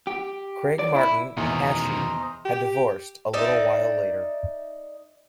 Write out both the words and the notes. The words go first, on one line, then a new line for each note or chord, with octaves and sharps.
Craig-Martin and Hashey had divorced a little while later.
G4
D5
E4
E2 B2 D#3 C5 D#5 A#5
G4
D#4 D5 E5